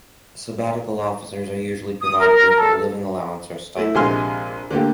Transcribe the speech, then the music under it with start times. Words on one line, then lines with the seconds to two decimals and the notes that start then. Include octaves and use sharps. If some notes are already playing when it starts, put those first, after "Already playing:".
Sabbatical officers are usually provided with a living allowance or stipend.
2.01 D#6
2.21 A#4
2.58 A4
3.77 A3 E4
3.95 A#1 C3 G#3 G#5 C6 F6
4.70 D3 A3 A#3 G4